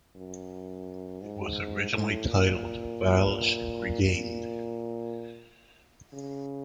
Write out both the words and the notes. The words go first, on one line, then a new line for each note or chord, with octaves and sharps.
It was originally titled, "Valis Regained".
F#2
G#2
A2
A#2
A#2
C#3